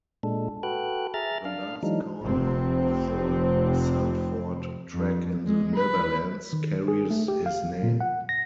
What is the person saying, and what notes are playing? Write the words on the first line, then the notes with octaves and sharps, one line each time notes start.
The last corner of the Zandvoort track in the Netherlands carries his name.
A#2 G#3 D4 A4
F#4 A4 B4 G5 F#6
G#4 E5 A#5 F6 A6
D4 F5 F6
E3 F#3 G#3 D4 D#4
F1 C3 C4
F2
G#3
B4
D#3
G#4
A3
G4
F5
A#2
F#5
A#6